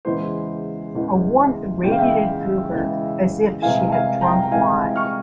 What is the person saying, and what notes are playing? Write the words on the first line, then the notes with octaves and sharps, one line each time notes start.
A warmth radiated through her as if she had drunk wine.
E2 C#3 E3 G#3 C5
E2 C#3 E3 G#3
E2 C#3 E3 G#3 G5
F5
E5 G5
E2 C#3 E3 G#3
C2 C3 E3 G#3 F5 G#5
F5 G#5
G5 A#5
A#5
C2 C3 E3 G#3 F5 G#5
C#6 F6